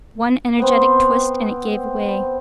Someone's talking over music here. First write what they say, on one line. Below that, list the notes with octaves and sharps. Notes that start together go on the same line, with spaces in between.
One energetic twist and it gave way.
B3 C4